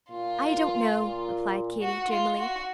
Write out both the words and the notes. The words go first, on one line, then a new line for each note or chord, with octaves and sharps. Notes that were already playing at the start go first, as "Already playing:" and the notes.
"I don't know," replied Katy, dreamily.
A#2 F4
A#2
F#4
F4
F#4